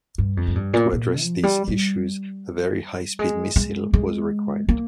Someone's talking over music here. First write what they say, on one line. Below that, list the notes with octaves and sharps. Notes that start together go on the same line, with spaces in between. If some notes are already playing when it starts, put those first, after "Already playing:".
To address these issues, a very high speed missile was required.
G2
F2
G#2
G2
A#2
A#2
F3
G3
G3
G#3
G#3
G#3
A#3